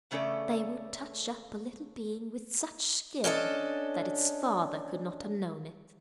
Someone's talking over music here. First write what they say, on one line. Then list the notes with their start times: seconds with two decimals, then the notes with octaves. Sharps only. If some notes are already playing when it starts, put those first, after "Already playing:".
They would touch up a little being with such skill that its father could not have known it.
0.11 E2 C#3 A3 C#4 A4 D5
3.24 C#4 D4 A4 D#5